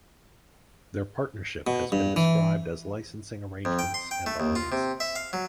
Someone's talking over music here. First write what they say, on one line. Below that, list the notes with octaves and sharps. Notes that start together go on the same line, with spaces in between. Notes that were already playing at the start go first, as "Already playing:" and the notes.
Their partnership has been described as licensing arrangements and alliances.
B2
G2
E3
F2
G5
C6
G5
A3
D#2
F4
C3
E5
F5
F#3